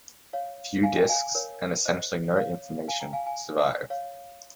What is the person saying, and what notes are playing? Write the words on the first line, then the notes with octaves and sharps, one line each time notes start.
Few discs, and essentially no information, survive.
C#5 F5
F5 G#5
D#5 G5
F5 G#5
A#4 C#5
C5 D#5
C#5 F5
F5 G#5
G5 A#5
F5 G#5
F5 G#5
C#5 F5